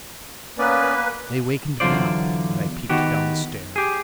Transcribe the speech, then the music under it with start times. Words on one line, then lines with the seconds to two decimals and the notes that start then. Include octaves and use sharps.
They wakened me up and I peeped down the stair.
0.58 A#3 B3 C#4 B4 D5
1.80 E2 D3 F#3 F4 C5 D5
2.89 D#3 B3 F#4 G4
3.76 G4 G#4